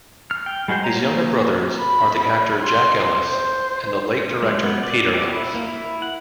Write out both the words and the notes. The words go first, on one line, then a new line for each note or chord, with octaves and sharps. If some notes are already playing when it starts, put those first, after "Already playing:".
His younger brothers are the actor Jack Ellis and the late director Peter Ellis.
F6
G5
G3 G#3 F#4 C5 G6
A#3 C#5 A#5
B5
C6
C5
G#3
B3
D5
G4
E4
A#3
E4
F#5